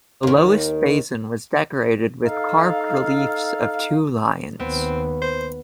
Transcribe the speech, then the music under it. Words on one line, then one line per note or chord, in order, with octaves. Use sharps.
The lowest basin was decorated with carved reliefs of two lions.
D#2 D#3
D#4 A4 F5
D#2 B3 C4
C5